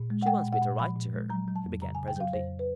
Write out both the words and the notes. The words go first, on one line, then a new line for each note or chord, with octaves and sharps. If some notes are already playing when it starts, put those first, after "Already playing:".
"She wants me to write to her," he began, presently.
Already playing: A#2
G#3
F#5
G#3 G5
A#2
F#5
A#2
F3 B5
A#2
G#3
F#3 A#5
F#3
A5
F2
C#3 A#5
C#3 G#5
G5
F#3 F5
F2 C5
B4